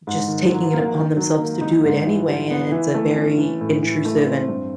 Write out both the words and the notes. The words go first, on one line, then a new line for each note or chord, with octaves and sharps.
just taking it upon themselves to do it anyway, and it's a very intrusive and
G#2
D#3
F#3
A#3
D#3
F#3
A#3
D#4
G#2
E3
G3
B3
E3
A3
C#4
E3
A2
E3
A3
C4
G2